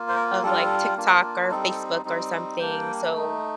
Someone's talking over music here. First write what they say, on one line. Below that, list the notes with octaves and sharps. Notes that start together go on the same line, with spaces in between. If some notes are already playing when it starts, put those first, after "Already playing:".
of, like, TikTok or Facebook or something, so
Already playing: A#3 F4
C5
A#4
G3 D4 F4 A4
A#3 D4 F4
G3 C4 D#4 A4
G3 C4 D#4
G3 A#3 D4 G5
A3 D#4